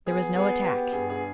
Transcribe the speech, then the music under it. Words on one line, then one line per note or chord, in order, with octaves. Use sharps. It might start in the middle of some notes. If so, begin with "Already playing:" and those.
There was no attack.
B3 G#4
B3 G#4
B3 G4
G2 G#4
G#4